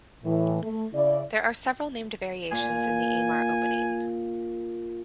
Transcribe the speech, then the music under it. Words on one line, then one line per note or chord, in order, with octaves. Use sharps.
There are several named variations in the Amar Opening.
A2 E3
A3
C#3 E4 D5
A#2 G#5